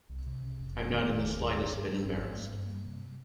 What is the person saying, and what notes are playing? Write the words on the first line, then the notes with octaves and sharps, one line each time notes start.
I'm not in the slightest bit embarrassed.
C2
C3
C#3
F1
F2
D#3
F1
D#2
G3
G1
G2
G3
G#1
G#2
A#3
G2
G3
C3